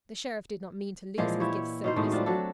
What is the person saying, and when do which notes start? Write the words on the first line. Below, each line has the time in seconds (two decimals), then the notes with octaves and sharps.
The Sheriff did not mean to lose his gifts so easily.
1.18 A#2 E3 F3 G#3
1.40 E4 G4 C#5
1.84 B2 D#4 C5
1.96 A2 D#3 G#3 A3
2.12 G3 C4 D4 F4
2.26 F#3 D4 A4